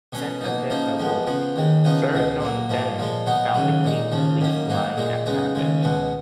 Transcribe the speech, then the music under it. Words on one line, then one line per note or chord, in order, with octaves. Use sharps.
Sent ahead by Warwick, Sir John Denham found the king's fleet lying at Sandwich.
B2 F#3 C#4
B2 A#3 D#4
C#3 F3 A#3 D#4
F2 F3 G#3 B3
C#3 F3 B3
D#2 D#3 G#3
C#3 F3 B3 D#4
C#2 B2 G#3
A#2 F#3 A#3
G#2 F3 A#3
A#2 F3 G#3
B2 F#3 B3 D#4
D#2 C#3 F#3
A#2 G#3 D#4
D#2 C#3 F3
F#2 D#3 A#3 C#4
G#2 F#3 A#3 D#4
A#2 G#3 D#4
C#3 G#3 B3 D#4
D#2 C#3 G#3
C#2 B2 G#3 B3